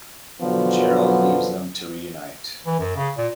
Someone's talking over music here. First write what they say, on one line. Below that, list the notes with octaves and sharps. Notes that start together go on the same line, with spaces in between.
Gerald leaves them to reunite.
B2 D3 F3 F#3 B3
E3
F#2
C#3
A#2